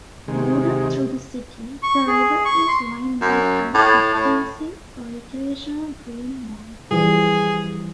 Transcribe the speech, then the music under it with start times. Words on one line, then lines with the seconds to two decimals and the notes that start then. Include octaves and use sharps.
Wooded through the city, the river is lined by an extensive recreational greenbelt.
0.28 C3 D#3 G#3
1.83 C#6
2.07 G#4
2.45 C#6
2.68 C6
3.21 F#2
3.74 A2
4.14 A2
6.91 E3 F3 G3 G#4